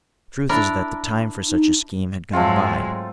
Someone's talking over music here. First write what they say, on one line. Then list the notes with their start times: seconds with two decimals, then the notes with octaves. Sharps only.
The truth is that the time for such a scheme had gone by.
0.49 D4 E4 A#4
1.49 D#4
2.33 G#2 F#3 G#3 A3 C4 F4